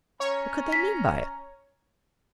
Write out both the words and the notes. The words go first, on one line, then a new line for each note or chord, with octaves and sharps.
What could they mean by it?
C#4 C#5 A#5
B6